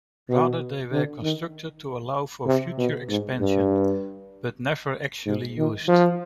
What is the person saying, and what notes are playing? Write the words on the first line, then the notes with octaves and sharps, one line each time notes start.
Rather they were constructed to allow for future expansion, but never actually used.
B2
D3
D#3
C3
B2
G#2
G2
G#2
D#3
F3